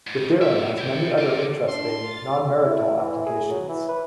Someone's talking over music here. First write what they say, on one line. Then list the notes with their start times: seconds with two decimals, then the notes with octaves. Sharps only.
The theorem has many other interesting "non-marital" applications.
0.07 D#2 G#2
0.41 G2 E5
0.78 E4 G5
1.18 F4 D5
1.68 D4 D5 A5 C6
2.01 F4 A6
2.63 E4
2.98 E3
3.26 G#4
3.50 F#3
3.68 E3
3.89 B4